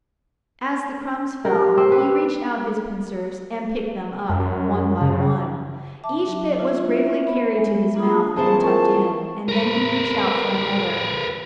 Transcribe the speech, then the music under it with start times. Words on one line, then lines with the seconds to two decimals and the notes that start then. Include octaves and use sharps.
As the crumbs fell, he reached out his pincers and picked them up, one by one. Each bit was gravely carried to his mouth, and tucked in, and then he reached out for another.
1.45 G4 A#4
1.77 C4
1.92 B4
4.30 F#2
5.01 C#3
6.04 E5 A5 D6
6.27 F#3 D6
6.58 D4 E4 F4 E5
7.24 B3 E5
7.57 G#3
7.95 A#3 D4 F4 G#4 B5 D#6
8.36 E3 F3 A#3 C4 F4 G#4 A5
8.63 A#4 A5 C#6
9.48 A#4 B4